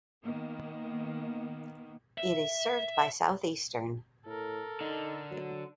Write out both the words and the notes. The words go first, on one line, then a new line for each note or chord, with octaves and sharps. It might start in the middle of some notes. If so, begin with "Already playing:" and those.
It is served by Southeastern.
D#3 A#3 B3
E5
A2 A4 A#4
D3 D#4
F#3